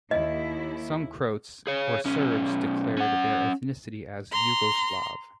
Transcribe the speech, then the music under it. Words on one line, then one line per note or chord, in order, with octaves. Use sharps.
Some Croats or Serbs declared their ethnicity as Yugoslav.
D#2 E4 D#5
G#4 C#5
B1 C#4
C#4 F#5
A#5 C6